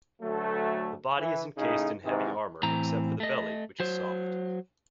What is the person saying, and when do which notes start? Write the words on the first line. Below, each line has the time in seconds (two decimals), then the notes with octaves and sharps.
The body is encased in heavy armour, except for the belly, which is soft.
0.21 D2 F#3 A3
1.18 E3
1.57 A2 C#3 D#4
2.04 G#2 C3 D#3 E3 D#4
2.63 A2 E3 C4 A#5
3.20 A3 D#5
3.80 F#3 C5